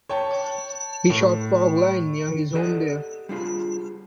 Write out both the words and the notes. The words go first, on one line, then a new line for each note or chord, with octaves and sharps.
He shot "Fog Line" near his home there.
C#5 G5 A5
A2
G4 A4 D5 D#5 F#5
G3 D4 F4 G#4